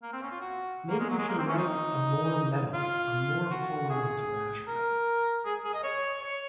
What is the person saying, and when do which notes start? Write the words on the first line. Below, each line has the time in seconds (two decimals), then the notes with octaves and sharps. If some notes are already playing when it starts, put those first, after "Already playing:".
Maybe we should write a more metal or more full-on thrash metal.
0.03 A#3
0.13 C4
0.22 C#4
0.31 F4
0.41 F#4
0.89 A#3
1.00 G#3
1.09 F#3
1.19 G#3
1.29 A#3
1.38 C4
1.48 C#4
1.58 D#4
2.74 F4
3.51 F#4
3.90 G#4
4.67 A#4
5.45 G#4
5.64 G#4
5.74 D#5
5.83 C#5
6.23 C#5